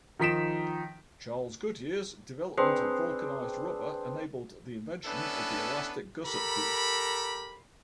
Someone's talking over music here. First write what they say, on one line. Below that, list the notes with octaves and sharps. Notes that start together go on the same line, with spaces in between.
Charles Goodyear's development of vulcanised rubber enabled the invention of the elastic gusset boot.
D#3 F3 D#4 B6 D7 E7
C4 D4 G#4 B4 C5
B3 C#4 D4 E4 A4 B4
G4 A4 A#4 A#5 B5